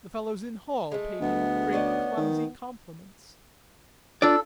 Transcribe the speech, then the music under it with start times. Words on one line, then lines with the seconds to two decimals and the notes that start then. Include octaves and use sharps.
The fellows in hall paid him great clumsy compliments.
0.92 G#3 A3
1.20 D2 B3
1.73 C#4 D5 D#5
2.17 D#3
4.22 D4 F4 A4 D5